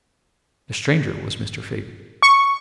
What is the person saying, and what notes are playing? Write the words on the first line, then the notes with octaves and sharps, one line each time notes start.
The stranger was Mr. Fagin.
C#6